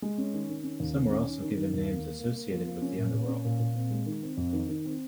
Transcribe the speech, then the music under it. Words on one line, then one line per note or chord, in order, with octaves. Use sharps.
Some were also given names associated with the underworld.
G#3
C#4
D#3
D#3
C#4
D#2
C#4
C#4
D#3
D#3
D#3
D#2
A#3
A#3
A#3
A#3
F3
A#3
C#4
A#2
A#2
C#4
A#2
A#2
C4
G#3
D#3
C4
F2
D#3
D#3
C4